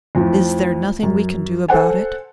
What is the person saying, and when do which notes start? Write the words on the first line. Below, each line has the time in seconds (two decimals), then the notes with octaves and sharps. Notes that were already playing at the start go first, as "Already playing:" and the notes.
"Is there nothing we can do about it?"
0.15 F2 A2 F3
1.03 F#2
1.68 A4 C5 F#5 G#5